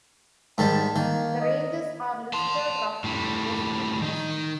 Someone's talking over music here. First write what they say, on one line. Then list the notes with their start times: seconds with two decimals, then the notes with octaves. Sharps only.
The ranges are listed roughly west to east.
0.58 G#2 D#3 G3 A5
0.96 D#3 A#3
1.40 D#5
2.33 A5 C6
3.04 A2 G3
4.02 D#3 D#4